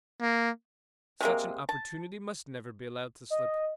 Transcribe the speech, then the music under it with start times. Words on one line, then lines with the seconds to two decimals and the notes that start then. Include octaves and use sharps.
Such an opportunity must never be allowed to slip.
0.21 A#3
1.21 C3 G#3 A#3
1.69 A5
3.30 D#5